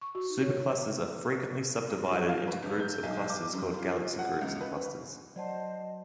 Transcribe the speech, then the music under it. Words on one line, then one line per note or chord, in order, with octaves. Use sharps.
Superclusters are frequently subdivided into groups of clusters called galaxy groups and clusters.
C#6
F#4
D#4
C#5
C#5
C#5
F#3
F5
B4
G1
G6
B1
D6
F#2
F4
F#5
C#2
B4
F#3 C5 D5 D#5 F#5 A5